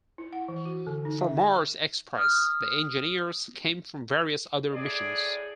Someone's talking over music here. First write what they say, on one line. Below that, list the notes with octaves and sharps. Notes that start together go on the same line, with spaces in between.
For Mars Express the engineers came from various other missions.
E4
F#5
E3
F#4
D3
D#4
E5
D#6 F6
A2 G#4 D5